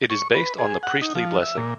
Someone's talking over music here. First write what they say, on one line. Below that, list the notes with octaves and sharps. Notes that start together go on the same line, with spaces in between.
It is based on the Priestly Blessing.
C#6
B4
G#4
F#5
D#4
F3
E5
A#2